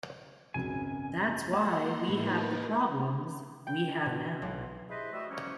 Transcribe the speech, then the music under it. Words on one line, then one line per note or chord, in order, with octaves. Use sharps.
That's why we have the problems we have now.
G#1 C#2 F#2 G#5
A#3 A4 D#5 F#5 A#5 C6
A2 D#4 A#4 B4 B5
G5
B2
B1
E4 G4 G#4 B4 C5 D#5
G3 A3 F#4 D#5 E5
E3 F3 G3 A3 A#3 C#4